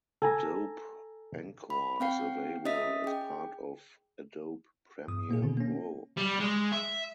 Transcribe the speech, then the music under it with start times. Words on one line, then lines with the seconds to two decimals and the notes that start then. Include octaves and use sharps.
Adobe Encore is available as part of Adobe Premiere Pro.
0.22 A4 G#5 A#5
1.70 B5
2.00 C4 F5 G5 C7
2.65 C#4 D#5 E5 D#6 B6
3.04 G#4 G5
5.08 G2 D#6
5.29 A#2 A#3 E4 G#4
5.42 B2 D3 D#3 C4
5.57 A#3 C#4
6.17 G3
6.40 G#3
6.72 E5